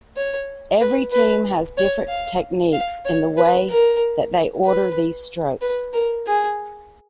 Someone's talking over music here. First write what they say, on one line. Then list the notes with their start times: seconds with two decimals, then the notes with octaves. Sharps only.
Every team has different techniques in the way that they order these strokes.
0.16 C#5
0.81 B4
1.12 B4
1.77 C#5
2.09 F5
2.73 F5
3.05 C#5
3.37 B4
3.70 A#4
4.65 B4
5.61 B4
5.93 A#4
6.26 G#4